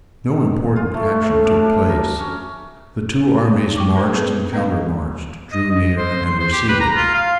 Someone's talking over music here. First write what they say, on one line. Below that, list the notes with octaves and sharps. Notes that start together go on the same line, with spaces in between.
No important action took place. The two armies marched and countermarched, drew near and receded.
F4
A3
A2
D4
A#4
C#4
G5 C#6 D6
D4 A#4 C5 C#6
B3 C4 G#4 A4 B4
B3 D4 B4 D#5 F5
D#5
D#5
C5
C6
C5
G4
B4
A#5
F4
F5